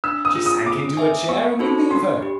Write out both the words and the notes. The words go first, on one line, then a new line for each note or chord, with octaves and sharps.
She sank into a chair and you leave her.
D4 E6
D#6
F4 G#4
D#6
G#4 D6
B4 E5 G#5
B3 C#6
D#4 F#4 A4 C5 B5
D4 C6
G4